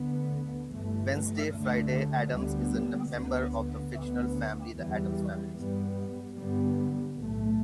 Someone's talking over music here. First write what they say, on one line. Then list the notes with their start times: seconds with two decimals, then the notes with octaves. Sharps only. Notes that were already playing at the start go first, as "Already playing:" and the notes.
Wednesday Friday Addams is a member of the fictional family The Addams Family.
Already playing: D2 D3 B3
0.70 G1 G2 E3 A3
1.50 D2 D3 A3
2.31 D2 D3 G3 B3
3.12 D2 D3 B3
3.92 D2 D3 B3
4.74 E2 E3 G3
5.54 G2 G3 B3
6.36 G2 D3 G3 B3
7.16 B1 A2 A3